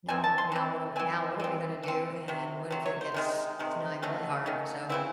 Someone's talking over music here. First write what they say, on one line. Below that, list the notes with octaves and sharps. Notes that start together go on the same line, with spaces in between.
now now what do w now what are we gonna do, and what if it gets snowing really hard?" so,
E3 C4 G#5
A5
C6
E3 C4
E3 C4 G#5
E3 C4
E3 C4
C3 F#3
C3 F#3
C#5
C5
C3 D#3 G#3
C3 D#3 G#3
D#3 A3 C#4 F#4
D#3 A3 C#4
C#3 E3 C4 E4